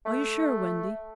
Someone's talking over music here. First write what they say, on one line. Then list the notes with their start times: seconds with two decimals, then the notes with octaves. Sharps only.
"Are you sure, Wendy?"
0.06 A3